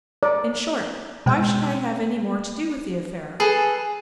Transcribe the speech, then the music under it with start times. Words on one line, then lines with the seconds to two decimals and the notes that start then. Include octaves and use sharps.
In short, why should I have any more to do with the affair?
0.23 D5
1.26 B2 G#3 G5
3.40 G#4 A4 B4 A5